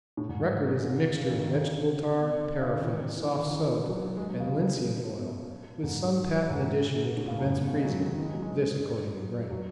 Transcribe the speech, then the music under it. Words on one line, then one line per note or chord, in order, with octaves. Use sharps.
Record is a mixture of vegetable tar, paraffin, soft soap, and linseed oil, with some patent addition which prevents freezing--this according to Gran.
A2
G#2
G#2
C#3
D#3
D#3
C#3
B2
C#3
D#3
E3
E3
D#3
E3
E3
F#3
F#3
G#3
F#3
C#3
B2
G#2
G#2
A2
C#3
F#2
G#2
B2
C#3
G#3
F#3
D#3
E3
G#3
F#3
G#3
F#3
F#3